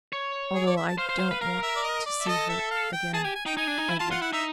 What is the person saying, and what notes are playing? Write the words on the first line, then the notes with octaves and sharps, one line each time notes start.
Although I don't want to see her again ever--.
C#5
G#4
D5
E5
A5
C5 F5
C5
C5
B4
A#4 F5
E5
D5
D#5
D5
E5
A4 D#5
E5
F5
G5
G#4 A5
G4 G#5
G#5
D#4 G5
D#4 G#5
D4
D#4
E4
F4 A5
F4 F#5
E4 F#5
D#4 E5